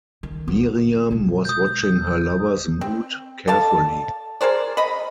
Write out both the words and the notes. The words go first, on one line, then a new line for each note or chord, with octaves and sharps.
Miriam was watching her lover’s mood carefully.
D#3
F3 B3
B2 G#3
D#6 G6
C4
A4 D5 F5 A5
G#4 A#4 C5 D5
D#5 B5